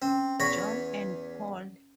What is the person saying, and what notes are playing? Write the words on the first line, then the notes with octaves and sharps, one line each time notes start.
John and Paul.
C4 C#4
E2 C#5 B5 C#6 A#6